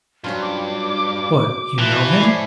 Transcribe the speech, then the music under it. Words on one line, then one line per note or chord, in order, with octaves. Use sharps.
"What--you know him?"
G2 F#3 C#4 F4
D6
E3 F3 A3 F#6
C#4 E4 A4 D5 C7